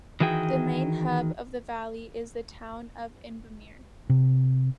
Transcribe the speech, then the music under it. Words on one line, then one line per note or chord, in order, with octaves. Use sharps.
The main hub of the valley is the town of Invermere.
D#3 E3 F#4 G#4 G5
C3